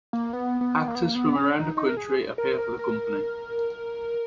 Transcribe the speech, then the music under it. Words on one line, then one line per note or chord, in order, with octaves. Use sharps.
Actors from around the country appear for the Company.
A#3
B3
B3
A#3
B3
A#3
B3
C#4
D#4
D#4
A#4
G#4
A#4
A#4
A#4